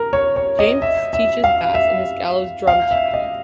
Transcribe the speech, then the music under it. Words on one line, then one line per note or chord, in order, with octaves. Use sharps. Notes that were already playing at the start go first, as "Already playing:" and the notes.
James teaches bass and is Gallows' drum tech.
Already playing: A#4
C#5
C#5
D#5
E5
E5
F5
E5
F5
E5
D#5